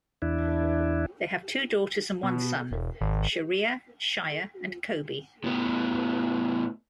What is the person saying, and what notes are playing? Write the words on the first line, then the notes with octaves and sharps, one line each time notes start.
They have two daughters and one son: Sharia, Shaya, and Kobe.
E2 D4 E4
B2
E1
G#1
A2 B3